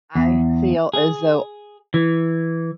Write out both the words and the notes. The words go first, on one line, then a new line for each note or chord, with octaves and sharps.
I feel as though,
E2
G#4
E3